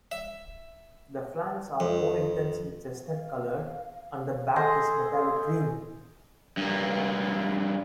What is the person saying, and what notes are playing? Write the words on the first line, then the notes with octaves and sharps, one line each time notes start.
The flanks are more intensely chestnut colored and the back is metallic green.
E5
F2
F5
G#4 A4 C5 D#5
G2 A#3